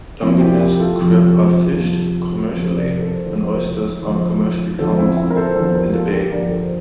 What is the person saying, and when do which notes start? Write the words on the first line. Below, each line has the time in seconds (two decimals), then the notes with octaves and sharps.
Dungeness crab are fished commercially, and oysters are commercially farmed in the bay.
0.22 F2 C3 F3 C4 E4
0.41 E4 G4
0.60 E4 G4
0.79 F4 A4
0.98 F2 C3 F3
1.74 F2 C3 F3
2.50 F2 C3 F3 A4 C5
2.75 A#4 D5
3.01 A4 C5
3.26 E2 D3 F3 A4 C5
4.02 E2 D3 F3
4.79 E2 D3 F3 A4 C5
4.98 C4 E4
5.17 C4 E4
5.30 A#4
5.37 A4 C5
5.55 E2 D3 F3 A4 C5
5.74 G4 A#4
5.93 F4 A4
6.12 G4 A#4
6.31 G2 D3 F3 A#4 D5
6.50 A4 C5